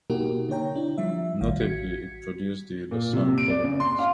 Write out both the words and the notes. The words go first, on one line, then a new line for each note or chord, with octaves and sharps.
Notably, it produced the Lausanne Covenant.
B2 A#3 D#4 F#4 G4 A#4
D3 D#4 C#5 G5 A#5
D4 E4
F3 G3 E5
A1 D#3 F5
F#4 G#6 B6 C#7
A#2
C3
D7
D5
C#3
C6
F5